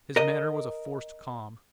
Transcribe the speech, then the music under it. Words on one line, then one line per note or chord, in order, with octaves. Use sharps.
His manner was a forced calm.
A#4 D#5